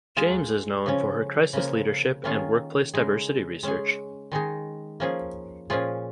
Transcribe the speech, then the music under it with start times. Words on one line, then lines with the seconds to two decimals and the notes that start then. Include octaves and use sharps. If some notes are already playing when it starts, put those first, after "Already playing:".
James is known for her crisis leadership and workplace diversity research.
0.17 G#3 F4 G#4
0.86 C#3 F3 C#4
1.53 C#3 F3 A#3
2.24 D#3 A#3 C#4 F4 G#4
2.94 C#3 G#3 D#4 G#4
3.63 G#3 C#4 G#4
4.31 D#3 G#3 D#4 G#4
5.00 F3 A#3 C#4 G#4
5.70 A#2 F3 C#4 F4 G#4